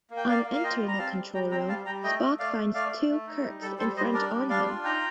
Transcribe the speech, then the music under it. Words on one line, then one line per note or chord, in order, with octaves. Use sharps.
On entering a control room, Spock finds two Kirks in front on him.
A#3
G5
A#3 D5 F5
A#3
F5
F4 D#5 G5
G3
A#5
C4 F5 A5
G3
G3 G5 A#5
C4 G5 A#5
G3 F5 A5
G3 G5 A#5
A3 D#5 G5
A3
A3 D5 F5
A3
A3 D5 F5
A3
A3
D#4
G3
G3 A4
G3 A4 C5
G3 C5 D#5
D4 A#4 D5
G3
D4 D5 F5
F4
D#4 G5 A#5